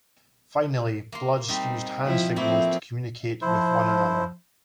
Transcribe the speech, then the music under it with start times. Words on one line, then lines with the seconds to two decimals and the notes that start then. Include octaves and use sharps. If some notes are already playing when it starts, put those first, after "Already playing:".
Finally, Bloods use hand signs to communicate with one another.
1.12 A#3 C6
1.48 G3 C4 D#4
2.06 F3 E4
2.36 F3 A3 A#3 C4 E4
3.42 F3 E4 C5